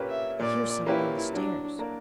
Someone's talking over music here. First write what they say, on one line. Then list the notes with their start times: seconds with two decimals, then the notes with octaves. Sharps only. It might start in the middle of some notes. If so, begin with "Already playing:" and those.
"I hear some one on the stairs."
Already playing: A#2 A#3 C#4 G4 B4
0.09 E5
0.39 A#2 D5
0.86 A#3 C#4 E4 G4 B4
1.33 F#3 D4
1.79 A#3 D4 A#4